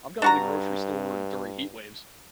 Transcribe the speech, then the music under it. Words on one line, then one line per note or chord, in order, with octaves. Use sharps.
I've gone to the grocery store during heat waves.
G2 D4 F#4 A#5